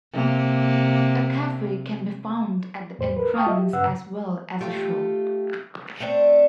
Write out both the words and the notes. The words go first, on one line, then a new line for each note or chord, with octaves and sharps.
A cafe can be found at the entrance as well as a shop.
C3 A#3
E2 A2 C5
A#4 B4
G5 A5 C#6 D#6 F6
F4 D#5 E5
G4
G2 C#3 B4 F#5 E6
A3 F4 G4
A3 C4 D4